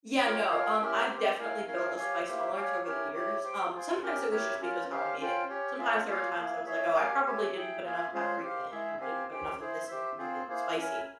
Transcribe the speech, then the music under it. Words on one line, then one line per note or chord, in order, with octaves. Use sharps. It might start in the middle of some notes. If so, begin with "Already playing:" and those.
Yeah, no, um, I've definitely built a spice tolerance over the years, um, sometimes it was just because how I made it, sometimes there were times I was, like, "Oh, I probably didn't put enough paprika in or I didn't put enough of this in to make it spicy."
F4 A#4 C#5 G5
F4 A#4 F5 G#5
C#4 E4 G4 A#4 E5
C4 G4 C5
E4 A#4 F5 G#5
C#4 E4 A#4 F5 G#5
G4 C#5 F5 G#5
A#3 E4 G4 C5 E5
G4 C#5 F5 G#5
C#4 E4 G4 A#4 C#5
E4 G4 C#5
G4 C5 G5
F4 G#4 C5
C#4 G4 A#4
E4 G4 A#4 C#5 E5
C#4 F4 A#4
C#4 G4 C5 F5
C#4 F4 C5 G5
C#4 G4 C#5
C#4 F4 G#4 E5
A#3 F4 G#4 C#5 F5
A#3 E4 G#4
E4 G#4 C#5 E5
C#4 G4 A#4 F5 G#5
G4 C#5 E5 G#5
E4 G#4 E5 G5
A#3 F4 G#4 E5 G#5
G#3 C#4 F4 G#4 C5
G4 C5 F5
G#3 E4 G#4 E5
C4 G4 C5 F5 G#5
C#4 G4 C5 G5
E4 G#4 C5
G4 C5 E5
C4 F4 G#4 C5
A#3 E4 G#4 C5
C#4 E4 A#4 E5 G#5